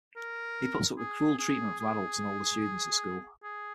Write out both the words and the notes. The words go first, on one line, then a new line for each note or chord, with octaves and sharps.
He puts up with cruel treatment from adults and older students at school.
A#4
G#4
G#4
G#4
G#4